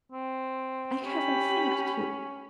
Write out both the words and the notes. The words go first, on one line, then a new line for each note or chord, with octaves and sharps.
"I haven't thanked you."
C4
C#4 G4 B5